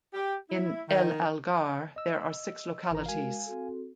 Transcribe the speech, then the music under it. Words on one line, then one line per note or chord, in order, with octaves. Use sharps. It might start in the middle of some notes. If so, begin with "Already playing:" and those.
In El Algar there are six localities.
G4
E4
D#3
D#5 E6
G#1 E3 A#5
G#3 F#4 A#4 F5 G#5
C4 F#4 A4